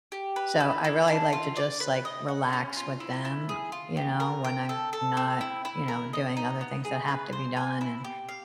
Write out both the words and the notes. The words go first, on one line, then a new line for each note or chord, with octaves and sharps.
So, I really like to just, like, relax with them, you know, when I'm not, you know, doing other things that have to be done and
G4
B4
E4
E4
D4
F4
D5
B4
D#5
F#5
C#4
F4
E4
E4
G#4
F4
G4
A#4
G5
A4
A4
C4
E4
E4
A#4
D#5
D#4
B3
G#4
B4
C5
G#5
E4
G4
F5